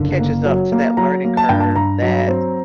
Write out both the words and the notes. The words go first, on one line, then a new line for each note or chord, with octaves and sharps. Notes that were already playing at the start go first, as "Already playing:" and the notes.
catches up to that learning curve that,
Already playing: F#1 D3
A#3
F#3
A#3
F#3 A#5
A#3
A5
G2 G5
A5
G2 A#5
F#3
C4